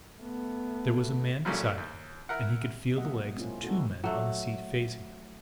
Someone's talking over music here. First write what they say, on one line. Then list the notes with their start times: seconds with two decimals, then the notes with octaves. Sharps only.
There was a man beside him, and he could feel the legs of two men on the seat facing him.
0.20 A3 B3
1.45 G#1 A#2 F#3 G3 A3 C#4
1.78 D#2
2.29 E4 A#4 F#5
2.96 B2 F#3 A#3 D#5 E5 F#5
3.35 G#3 A#3 C4 C#4 E4 F4
3.63 G3 C4 D#4 E4 F#4 A4
4.04 F#3 A3